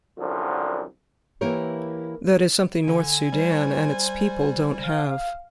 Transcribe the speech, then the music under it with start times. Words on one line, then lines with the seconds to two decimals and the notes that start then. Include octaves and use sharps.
That is something North Sudan and its people don't have.
0.18 C2 F#2 D3 F3
1.41 E3 A#3 E4 G4 A#4 C#5
2.88 D3 G#5
3.33 G3 C5
4.83 F5